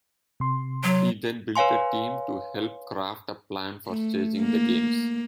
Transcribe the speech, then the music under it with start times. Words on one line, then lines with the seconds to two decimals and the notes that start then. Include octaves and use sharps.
He then built a team to help craft a plan for staging the Games.
0.40 C3 C6
0.84 F#3
1.56 B4 C#5 F5 G#5 C6
3.86 A3
4.39 A#3